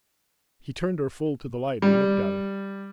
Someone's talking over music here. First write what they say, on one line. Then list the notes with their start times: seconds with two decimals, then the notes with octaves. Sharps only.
He turned her full to the light, and looked at her.
1.82 G3